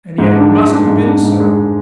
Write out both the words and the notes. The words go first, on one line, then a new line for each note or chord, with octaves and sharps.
And yet it must have been so!
G#2
D4
G#3
D4
G#2
D4
G#2
G#3